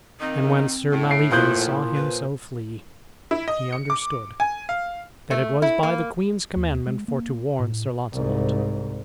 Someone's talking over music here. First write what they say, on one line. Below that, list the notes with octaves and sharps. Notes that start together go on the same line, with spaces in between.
And when Sir Maleagans saw him so flee, he understood that it was by the queen's commandment for to warn Sir Launcelot.
D#3 A#3 C4 D#4
A2
C7 D7
A#2 F3 E4 F#6 G6
B4
E4
D#5
C#7
D6
G#5
F5
A3
E4
A#3
D#2
G#3
A#3
A2
C2 G#2